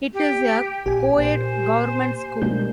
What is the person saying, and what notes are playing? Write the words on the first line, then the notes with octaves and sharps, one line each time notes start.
It is a co-ed government school.
G4
A#1 G4 G#5
A#2 C5
B2 G3 G#3 A#3 D4 G6